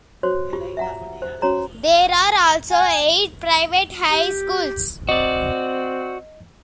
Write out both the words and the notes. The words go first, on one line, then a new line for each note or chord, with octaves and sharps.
There are also eight private high schools.
F#4 C5 C#5
F4 G4
E5 F#5 A#5
C5
C#4 F#4 C#5 A#5
G#5
G4
C4 F#4 D5 D#5